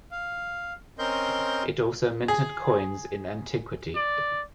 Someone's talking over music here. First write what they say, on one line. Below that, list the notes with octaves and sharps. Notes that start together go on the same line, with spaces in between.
It also minted coins in antiquity.
F5
C4 C#4 A#4 D#5 C6 G6
G#4
D5